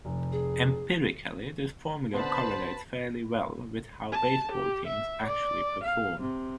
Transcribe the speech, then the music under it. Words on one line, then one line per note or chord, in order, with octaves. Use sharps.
Empirically, this formula correlates fairly well with how baseball teams actually perform.
F1
G#4
D3 B3 B4 C5 A5 B5
A5
G4
E5
D5
F5
C3